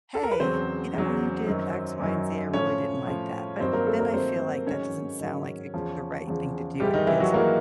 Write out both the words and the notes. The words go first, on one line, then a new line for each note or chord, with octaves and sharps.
"Hey, you know, when you did X, Y and Z, I really didn't like that," but then I feel like that doesn't sound like it the right thing to do, it feels
A4
A#4
B4
E2 C#3 F#3 C4 C5
E2 C#3 F#3
F#2 D#3 F#3
F#2 D#3 F#3
A2 F3 C#4 C#5
A2 F3
G2 D#3 F#3 C4 C5
A#3 A#4
A3 A4
A#3 A#4
G2 D#3 F#3 C4 C5
G#2 D#3 F#3 C#4 C#5
G#2 D#3 F#3
E2 C#3 F3
E2 C#3 F3
G#2 E3 G3 G4
D#3 D#4
E3 E4
F#3 F#4
G#2 E3 A#3 A#4